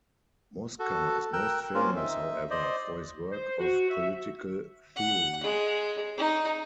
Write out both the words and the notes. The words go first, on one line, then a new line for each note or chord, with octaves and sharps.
Mosca is most famous, however, for his works of political theory.
F#4 A4
A#4 G5 E6 F#6
A#3 C4 C#4 F4 A#4
D#4 E5
C5 D5 D#5
C5
F#4
E5
F#5
G#3
D#4